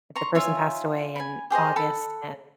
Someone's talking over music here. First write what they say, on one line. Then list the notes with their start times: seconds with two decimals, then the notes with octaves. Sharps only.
if the person passed away in August and,
0.16 A#5 C6 C#6
0.35 F4 C#5 E5 G#5
1.16 G#5 B5
1.50 G4 G#4 C5 D#5
1.76 A4 F#5 B5